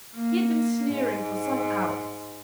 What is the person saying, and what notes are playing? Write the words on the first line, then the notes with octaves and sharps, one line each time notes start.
He had been sneering for some hours.
A#3
G#2